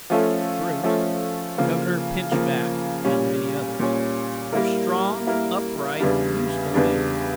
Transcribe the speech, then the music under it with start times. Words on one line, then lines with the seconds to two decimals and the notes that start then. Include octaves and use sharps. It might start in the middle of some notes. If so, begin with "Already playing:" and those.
Bruce, Governor Pinchback, and many others, were strong, upright, useful men.
0.10 F3 A3 C#4 F4 A4
0.83 F3 A3 C#4 F4 A4
1.58 C#3 F3 A#3
2.32 C#3 F3 A#3
3.05 A#2 G3 C#4
3.79 A#2 G3 C#4
4.52 G3 A#3 E4 A#4
5.27 G3 A#3 E4 A#4
6.00 E2 C#3 G3 D4
6.74 E2 C#3 G3 D4